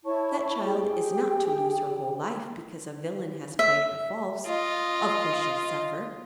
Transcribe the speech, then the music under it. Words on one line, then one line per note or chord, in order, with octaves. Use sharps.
That child is not to lose her whole life because a villain has played her false. Of course she'll suffer.
E4 C#5 A5 C#6
G4 G#4 G5
E5
F4 D#5